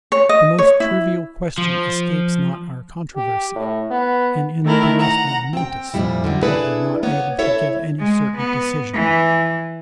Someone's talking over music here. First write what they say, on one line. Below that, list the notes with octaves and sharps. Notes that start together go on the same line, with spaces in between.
The most trivial question escapes not our controversy, and in the most momentous we are not able to give any certain decision.
C#5
D#5
C#5
E4
F3
G4
A2
B3
D#3 A3 E4 A#4
F#5 A#5
C4 G5
F2 A#2 G3 E4
D3 F#3 G3
D4 E4 G#4 A4 B4 D5
A#3 B3 C#5
E4 A4 C#5 E5
G#3
B3
E3